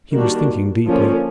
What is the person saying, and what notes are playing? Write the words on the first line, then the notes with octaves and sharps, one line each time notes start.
He was thinking deeply.
D#3 G3 A#3 D4 F#4
D3 F3 A#3 C#4 F4